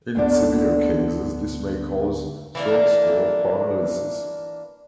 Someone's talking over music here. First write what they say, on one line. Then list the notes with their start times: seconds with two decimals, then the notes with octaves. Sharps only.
In severe cases this may cause strokes or paralysis.
0.15 D2 D3 B3 D4 D5
2.55 E3 A#3 D4